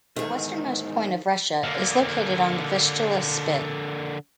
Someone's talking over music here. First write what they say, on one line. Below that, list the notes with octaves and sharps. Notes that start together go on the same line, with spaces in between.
The westernmost point of Russia is located on the Vistula Spit.
E2 G#2 D#3 G#4
D3 A#3